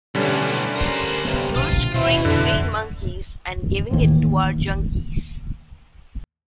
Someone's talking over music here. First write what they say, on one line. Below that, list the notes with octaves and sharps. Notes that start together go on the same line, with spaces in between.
You're screwing green monkeys and giving it to our junkies.
B1 A2 D3 G3 C#4
A#4 C5
G2 C3 B3
B1 A#2 D3 F4
D#1 B2 E4
A1 F2 D3
A1 D#2